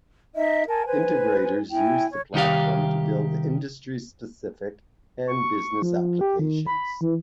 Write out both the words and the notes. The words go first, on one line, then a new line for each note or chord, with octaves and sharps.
Integrators use the platform to build industry-specific and business applications.
D#4 D#5 E5
A#4 G#5 A5
B4 C5 G#5
E4 G5 G#5
C#5
C2 D#3 G4 F5
C#6
F3
G4
D#3
B5
E3